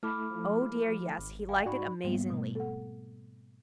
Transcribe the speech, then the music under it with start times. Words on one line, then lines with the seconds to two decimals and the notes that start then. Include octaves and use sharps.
Oh, dear, yes, he liked it amazingly!
0.03 A3 E4 A4 B5 D6 F6
0.30 F3
1.18 G#1
1.49 F5 G5 G#5
1.66 G#2 D#4 F#4 D5 B5 C#6
2.04 G#2 G3 A#3 B3
2.30 B2 A3
2.55 A4 F#5